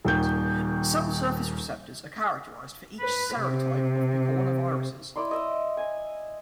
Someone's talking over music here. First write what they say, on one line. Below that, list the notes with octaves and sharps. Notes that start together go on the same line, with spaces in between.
Cell surface receptors are characterized for each serotype of picornaviruses.
D#1 D#2 G6
B4
C3
E4 D5 D#5 C6
D#5 E5
G#5